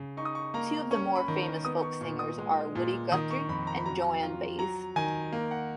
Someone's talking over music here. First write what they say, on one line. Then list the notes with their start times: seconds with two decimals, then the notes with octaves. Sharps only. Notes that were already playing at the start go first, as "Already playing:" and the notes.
Two of the more famous folk singers are Woody Guthrie and Joan Baez.
Already playing: C#3
0.17 D#4 C#6
0.25 D#6
0.35 C#6
0.54 A#3 A#5
0.91 C#4 C#6
1.16 B5
1.28 D#3
1.65 B3 D#6
1.82 C#6
2.01 A#2 C#6
2.19 D#6
2.38 G#3
2.75 A#2
3.12 D#3 D#6
3.30 C#6
3.49 F2 B5
3.67 A#5
3.76 B5
3.86 F#3 A#5
4.22 F4
4.59 F#3 A#5
4.96 D#3 G#5
5.32 A#3
5.51 F#5